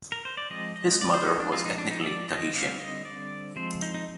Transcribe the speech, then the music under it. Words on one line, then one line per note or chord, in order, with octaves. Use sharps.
His mother was ethnically Tahitian.
A#4
C5
D5
F3 G#3 C4 D#5
D#5
D5
C5
D#4
D4
F3 G#3 C4 F4
D#4
D4
D#4
D5
D#5
D3 G3 C4 F5
D#5
D5
F3 G#3 C4 C5
D#4
D#4